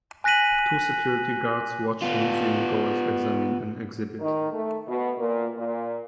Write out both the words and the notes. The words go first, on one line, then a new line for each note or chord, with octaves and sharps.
Two security guards watch museum goers examine an exhibit.
G#5 F#6 A#6 B6 D#7 F#7
B3 F4
D#3
A3
B2
A#2
A#2